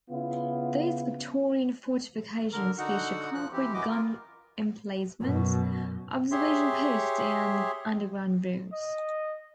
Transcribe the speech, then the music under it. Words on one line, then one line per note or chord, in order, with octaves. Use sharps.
These Victorian fortifications feature concrete gun emplacements, observation posts and underground rooms.
C#3 B3 E4 F4
D3 A#4
D3 D#4 F#4 F#5
F3 F#6
E3 C4 G4
F#2 E3 F#4 D#5 D6
F4 A#4
F#2 B2
G4 G#4 C#5 E5 C6
D#5